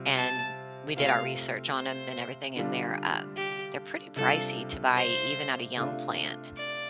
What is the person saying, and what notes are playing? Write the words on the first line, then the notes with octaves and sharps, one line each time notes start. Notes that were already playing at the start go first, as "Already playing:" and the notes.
And we did our research on 'em and everything and they're, um, they're pretty pricey to buy even at a young plant.
Already playing: C3 G3 C4 F4
A5
C3 A3 C4 F4 F5
C5
D3 G3 D4 F4
G4
C3 G3 D4 F4 A4
C5
C3 A3 D4 F4
D5